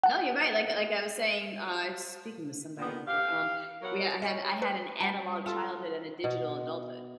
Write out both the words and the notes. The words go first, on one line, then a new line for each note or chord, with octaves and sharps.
No, you're right. Like like I was saying, uh, I've speaking with somebody before, um, yeah, I had I had an analog childhood and a digital adulthood.
F#5 A5
A#2 D3 D#3 A#3 B3
G4 F5
F#3 B3 A#4 C#5 F#5
C#4 D#5 B6 C#7
B4
G3 F#5 A5
F4 A4 E7
B2